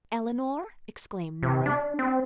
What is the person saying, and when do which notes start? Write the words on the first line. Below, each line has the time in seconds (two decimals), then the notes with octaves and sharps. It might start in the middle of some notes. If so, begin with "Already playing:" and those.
"Eleanor?" exclaimed Nora.
1.43 C3
1.66 D4
1.99 C4